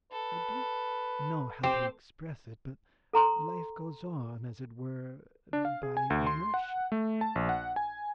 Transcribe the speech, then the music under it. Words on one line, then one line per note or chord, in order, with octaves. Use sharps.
I don't know how to express it, but life goes on, as it were, by inertia.
A4 B4
C4 G4 C5
A4 A#5 C6
D4
F5
G#4
G#5
D2
C6
F#5
A3
A5
A#1
F#5
G#5